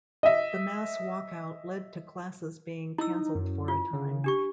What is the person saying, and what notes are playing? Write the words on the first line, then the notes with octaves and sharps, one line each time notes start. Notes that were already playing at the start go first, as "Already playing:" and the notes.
The mass walkout led to classes being canceled for a time.
D#5 E5
D#4 E4 E6
F#2
F4
C#3
D4 G4 C#6